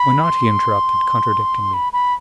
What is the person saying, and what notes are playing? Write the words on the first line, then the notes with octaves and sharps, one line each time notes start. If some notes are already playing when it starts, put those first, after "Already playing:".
"Why not!" he interrupted, contradicting me.
Already playing: B5
C6
B5
B5